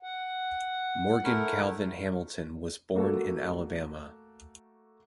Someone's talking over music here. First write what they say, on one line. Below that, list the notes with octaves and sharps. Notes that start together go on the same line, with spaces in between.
Morgan Calvin Hamilton was born in Alabama.
F#5
A3 E4 A#4
A3 A#3 F#4 A4